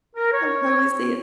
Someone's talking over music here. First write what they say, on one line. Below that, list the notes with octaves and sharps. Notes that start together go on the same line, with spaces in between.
I'm totally seeing it.
A#4
C#5